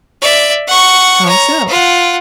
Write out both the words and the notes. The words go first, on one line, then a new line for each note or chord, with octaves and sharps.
"How so?"
D5 E5
F#5 C#6
C#5 A#5
F4 F#5